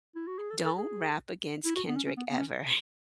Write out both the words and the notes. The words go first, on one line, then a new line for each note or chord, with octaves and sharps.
Don't Rap Against Kendrick Ever.
E4
F#4
G#4
A4
A4
G#4
E4
F#4
B3
C#4
C#4
B3
B3
C#4